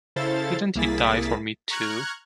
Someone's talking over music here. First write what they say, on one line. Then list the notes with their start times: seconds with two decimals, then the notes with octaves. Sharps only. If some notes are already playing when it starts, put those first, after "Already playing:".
Didn't he die for me too?
0.16 C#3 E4 A4 C5 F5 A6
0.75 C2 A#3 E4 G#4 A6 B6
1.70 A#5 C#6 F6 F#6 G#6